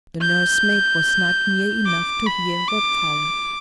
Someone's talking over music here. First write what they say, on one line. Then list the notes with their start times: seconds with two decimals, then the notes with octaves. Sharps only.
The nursemaid was not near enough to hear what followed.
0.21 G6
1.86 D6
2.26 B5
2.67 D6